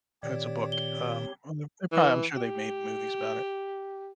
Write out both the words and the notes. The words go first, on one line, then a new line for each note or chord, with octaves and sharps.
it's a book, um um, they they prob I'm sure they've made movies about it.
A#2 D#3 C4 G4 C#5 D5
G7
E3
G4